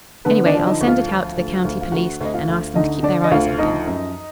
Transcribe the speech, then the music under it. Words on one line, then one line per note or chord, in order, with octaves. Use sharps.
Anyway, I'll send it out to the county police, and ask them to keep their eyes open.
D3 B3 B4
D4 D5
F3
D5
D#4 D#5
D2
F4 F5
F3
D2
D2
F5
D2 F#4 F#5
D2 D#5
F4 F5
D2
D3 D#4 D#5
D3 D4 D5
D#5
D2 F4 F5
F3 D#4 D#5
F#2